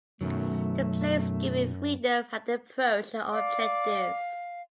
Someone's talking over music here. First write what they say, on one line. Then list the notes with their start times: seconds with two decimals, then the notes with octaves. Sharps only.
The player is given freedom how they approach their objectives.
0.21 B1 F#2 D#3 F#3 A3
3.32 D5 F5